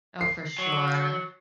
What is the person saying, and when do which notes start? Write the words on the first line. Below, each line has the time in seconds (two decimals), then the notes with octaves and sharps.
Oh, for sure.
0.21 C7
0.59 F#3